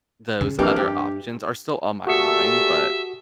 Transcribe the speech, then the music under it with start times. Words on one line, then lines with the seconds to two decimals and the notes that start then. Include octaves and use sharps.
those other options are still on my mind, but
0.41 C#3
0.59 F2 E3 A#3 D4 G4 F6
0.76 G2 G4
2.07 A#2 A3 F#4 G4 A4 E5 D#6 C#7